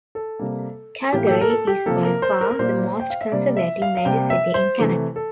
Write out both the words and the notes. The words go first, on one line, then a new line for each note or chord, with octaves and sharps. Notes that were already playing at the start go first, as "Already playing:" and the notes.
Calgary is, by far, the most conservative major city in Canada.
A4
C3 G3 A#3
A2 E3 A#3 G4
G4
A4
A#4
A4
G4
C3 F3 A#3 A4
A#4
C5
A#4
A#4
A#2 G3 A#3 C5
G5
F5
E5
C3 G3 A#3 D5
E5
F5
F5
C3 G3 A#3 G5
E5
C5
C3 E3 A3
A4